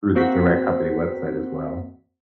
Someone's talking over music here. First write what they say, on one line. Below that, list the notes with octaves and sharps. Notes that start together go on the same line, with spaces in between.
through the direct company website as well.
A#3 C4 F#4 F#5 B6